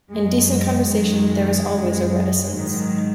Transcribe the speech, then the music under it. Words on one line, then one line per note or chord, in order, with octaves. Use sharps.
In decent conversation there is always a reticence.
F#2 F#3 G#3
G#3
F#2 D#3 F#3 G#3
F#2 F#3
G#2 D#3 F#3